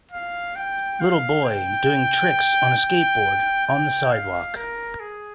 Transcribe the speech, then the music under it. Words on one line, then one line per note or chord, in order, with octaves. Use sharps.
Little boy doing tricks on a skateboard on the sidewalk.
F5
G5
F5
G5
G5
G5
F5
A#4
G#4